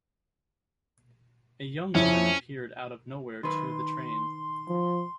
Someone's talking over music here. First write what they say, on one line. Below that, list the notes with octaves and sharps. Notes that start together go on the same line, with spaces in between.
A young woman appeared out of nowhere to the train.
F2 C#4 E4
D#3 B4 C6
F3